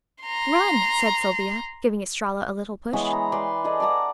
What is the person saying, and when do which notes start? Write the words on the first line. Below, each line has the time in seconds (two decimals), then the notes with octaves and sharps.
"Run," said Sylvia, giving Estralla a little push.
0.23 A#5 C6
2.93 E3 G#3 B3 C#5
3.13 A#5
3.32 B4 D5 G5 C6
3.64 G#4 A4 D5 D#5
3.80 D5 F#5 A5 A#5